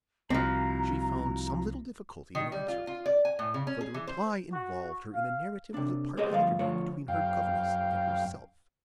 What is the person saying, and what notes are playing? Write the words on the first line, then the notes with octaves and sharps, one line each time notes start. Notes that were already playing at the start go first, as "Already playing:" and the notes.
She found some little difficulty in answering it, for the reply involved her in a narrative of the parting interview between her governess and herself.
C2 F3 C4 E4 F#4 A#5
D#3
G3
F4
F4
D5
G#5
A2
C#3
C#4
G#4
E3
C5
F#4
F5
C3 D4
G4 G#4 C5 C#5 D#5
D2 G2 F3 F5
D2 F3 C#5
F#2 F5 G5